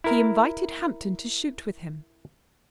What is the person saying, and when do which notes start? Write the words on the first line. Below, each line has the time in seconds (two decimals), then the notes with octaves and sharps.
He invited Hampton to shoot with him.
0.04 E4 A#4